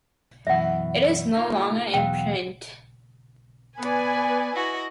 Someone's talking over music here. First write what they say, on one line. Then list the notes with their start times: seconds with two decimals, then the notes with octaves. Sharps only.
It is no longer in print.
0.47 F#2 B2 E3 E5 F#5
1.35 A#3 D#4 F4
1.94 E2 B2 F#3 F5 G5
3.78 B3 B4 D5 G#5
4.54 E4 F#4 D#5